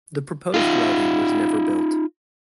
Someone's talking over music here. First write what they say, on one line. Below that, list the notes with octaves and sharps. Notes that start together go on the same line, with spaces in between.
The proposed routing was never built.
D#4 F4